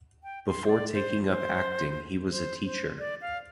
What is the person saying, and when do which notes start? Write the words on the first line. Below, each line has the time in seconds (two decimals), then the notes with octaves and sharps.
Before taking up acting he was a teacher.
0.24 G5
0.47 C6
0.64 C5
0.69 D5
0.93 C5
1.27 C5
2.30 C5
2.64 C5
2.99 D5
3.22 F5